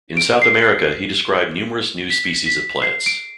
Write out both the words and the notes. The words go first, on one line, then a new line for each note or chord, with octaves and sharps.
In South America he described numerous new species of plants.
D7
C7
B6
B6
C7
D7